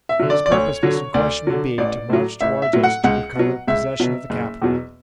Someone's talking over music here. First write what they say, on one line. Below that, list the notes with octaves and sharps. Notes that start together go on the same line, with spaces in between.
His purpose must unquestionably be to march towards us to recover possession of the capital.
E5
D3 F#3
D5
D5
D2 C#5
D3 F#3
D2 D5
D3 F#3
A1 D5
A2 F#3
A1 E5
E5
A2 F#3
F#5
C#2 F#5
B2 F#3
C#2 E5
B2 F#3
F#1
E2 B2 F#3